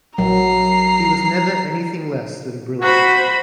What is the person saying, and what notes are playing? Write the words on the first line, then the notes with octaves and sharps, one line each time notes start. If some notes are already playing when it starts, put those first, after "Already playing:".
He was never anything less than brilliant.
A#1 F#3 A#5 C7
F#4 C5 B5